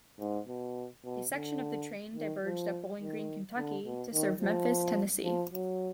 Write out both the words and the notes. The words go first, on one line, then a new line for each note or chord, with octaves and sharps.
A section of the train diverged at Bowling Green, Kentucky to serve Memphis, Tennessee.
G#2
B2
B2
D3
D#3
F3
D#3
D3
B2
D#3
F3
F3
F#3